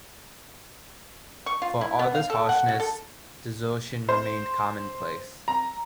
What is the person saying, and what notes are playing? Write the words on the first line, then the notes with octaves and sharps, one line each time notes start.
For all this harshness, desertion remained commonplace.
C#6
F4
E4
B3
F5
A4
F#5
F#4
A4
C5
A#5